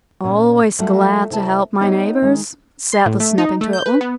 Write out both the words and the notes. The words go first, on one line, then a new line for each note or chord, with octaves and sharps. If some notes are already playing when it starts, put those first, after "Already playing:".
"Always glad to help my neighbors," said the Snapping Turtle.
A#2 C#4
F#3 G3 A3 A#3 F4 F#4
C3 E4 A5
B3 D#4 E4 G4 C#5 D#5
D#3 G#3
C6
A2
A3
D#4
A3
G6
B4
B3